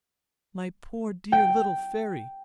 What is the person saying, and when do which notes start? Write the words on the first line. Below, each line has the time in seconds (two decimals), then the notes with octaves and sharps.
My poor, dear little Fairy!
1.32 G5